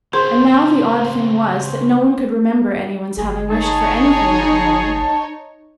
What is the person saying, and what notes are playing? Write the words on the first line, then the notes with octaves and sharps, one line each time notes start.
And now the odd thing was that no one could remember anyone's having wished for anything that morning.
C#3 B3 C4 G#4 C5
G1 G#4
D#4 G#4 C#5 A5